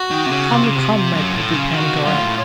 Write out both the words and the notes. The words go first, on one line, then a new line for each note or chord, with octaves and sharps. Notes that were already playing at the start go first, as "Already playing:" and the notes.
Come, come, my pretty Pandora!
Already playing: F#4
D#3
C3
C#3
C3 F4
C#3
C3
F#2
A2
C#3
D#3 F#4
C3
F#2 F4
A2